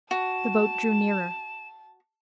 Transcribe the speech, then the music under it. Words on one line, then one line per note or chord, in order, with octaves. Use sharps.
The boat drew nearer.
F#4 A5 E7